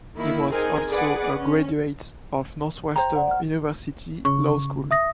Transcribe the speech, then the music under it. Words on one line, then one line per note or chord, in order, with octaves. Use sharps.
He was also a graduate of Northwestern University Law School.
D#3 A#3 E4
C4 D#4 G#4 A#4 G#5
G#4 B4 D5 F#5
C#4
C5 G5 A#5
D5 F#5
F#5 F6
C#3 C#6
E5 D#6 A#6